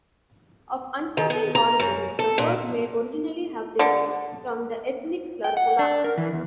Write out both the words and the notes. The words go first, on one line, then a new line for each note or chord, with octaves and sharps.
Of uncertain origins, the word may originally have derived from the ethnic slur "polack".
D#3
B3
A#5
F#2
A4
A#2
D3
G5
F#5
D4
A#4
E3
E2